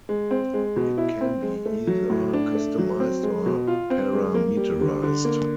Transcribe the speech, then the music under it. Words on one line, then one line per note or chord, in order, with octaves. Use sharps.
It can be either customised or parameterised.
G#3
C4
G#3
B2
E4
C4
G#3
A3
F#3
A2
D4
A3
F#3
C4
G#3
B2
F4
C4
G#3
A#3
G3
D3
D3
A#3